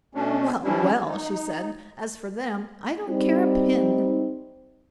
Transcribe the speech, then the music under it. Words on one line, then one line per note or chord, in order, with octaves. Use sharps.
'Well! well!' she said, 'as for them, I don't care a pin.
B2 A3 C#4 D4
E3 F3 G3 C#4 D4 E4
D#4
G3 C4 D#4